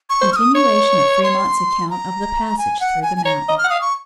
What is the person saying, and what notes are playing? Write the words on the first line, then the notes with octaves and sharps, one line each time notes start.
Continuation of Fremont's Account of the Passage Through the Mountains.
C#6
C5
F6
D#6
C#5 C#6
C6
A#5
G#5
F#5
G#5
G#5
C#5 A#5
D#5
F6
F#5
F5 D#6
C#6